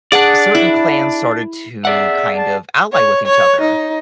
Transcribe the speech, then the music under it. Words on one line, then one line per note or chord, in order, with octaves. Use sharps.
certain clans started to kind of ally with each other,
D4 G#4 D5 F#5
E4
G#4 D5 E5 F#5
A5
C#5
C#5
D#4